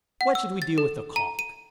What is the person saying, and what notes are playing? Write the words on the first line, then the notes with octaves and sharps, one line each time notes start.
What should we do with the cock?
F#5
E6
A6
A4
A#5
D#7